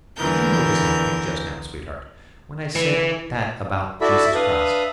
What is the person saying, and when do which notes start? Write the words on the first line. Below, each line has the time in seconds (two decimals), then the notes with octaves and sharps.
"Did you notice anything just now, sweetheart--when I said that about Jesus Christ?"
0.17 E2 D3 E3 A#4 G6
2.75 E3
4.01 E4 F#4 A4 D5 E5 B5
4.35 D4 B4 E5 F5 D#6